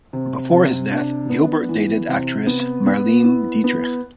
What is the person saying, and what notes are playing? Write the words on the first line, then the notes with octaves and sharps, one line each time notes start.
Before his death, Gilbert dated actress Marlene Dietrich.
C3
C3
D4
B3
E3
C3
B3
B3
E4
B3